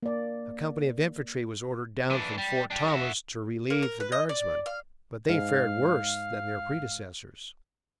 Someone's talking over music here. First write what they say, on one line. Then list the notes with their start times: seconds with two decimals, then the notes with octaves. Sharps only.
A company of infantry was ordered down from Fort Thomas to relieve the guardsmen, but they fared worse than their predecessors.
0.03 A#3 D5
2.10 E3 D4
2.38 G3
2.71 D4 G4
2.89 F#4 E5
3.70 A#3
3.83 A#4
4.00 B4
4.12 D#5
4.29 D5
4.66 F5
5.29 G#2 F5